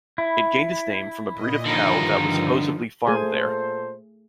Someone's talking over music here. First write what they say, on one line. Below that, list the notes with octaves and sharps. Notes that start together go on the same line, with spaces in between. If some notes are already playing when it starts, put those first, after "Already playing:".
It gained its name from a breed of cow that was supposedly farmed there.
E4
A#2 D#5
G2 D3 D#3 F3 D#4
A#2 A3 G#4 A4 C5 G#5